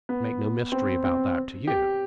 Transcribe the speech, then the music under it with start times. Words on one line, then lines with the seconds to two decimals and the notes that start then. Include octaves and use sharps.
I make no mystery about that to you.
0.09 B3
0.72 C4
1.04 C4
1.67 G4